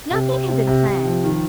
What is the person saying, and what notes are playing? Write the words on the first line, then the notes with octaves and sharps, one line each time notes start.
Nothing had been planned.
C3
C4
C3
C3
C3
F3
D#3